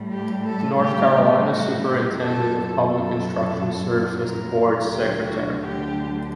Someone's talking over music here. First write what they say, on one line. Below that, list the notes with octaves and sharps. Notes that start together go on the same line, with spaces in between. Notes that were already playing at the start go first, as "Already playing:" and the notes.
The North Carolina Superintendent of Public Instruction serves as the board's secretary.
Already playing: A2 G3
G4
A4
G4
F#4
G4
F#2 F#3 A4
A4
A#4
D2 D3 F#3 G4
F#4
G4